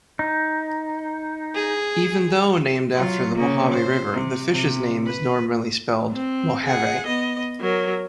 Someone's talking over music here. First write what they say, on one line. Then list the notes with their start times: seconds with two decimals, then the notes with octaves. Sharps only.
Even though named after the Mojave River, the fish's name is normally spelled "Mohave".
0.19 D#4
1.54 G#4
2.95 F#3 F4
3.36 C#3 A#3
3.72 C5
4.13 C3
4.52 C3
5.06 B4
6.12 C4
6.65 G#4 F#5
7.06 B3 D#5
7.61 F#3 A#4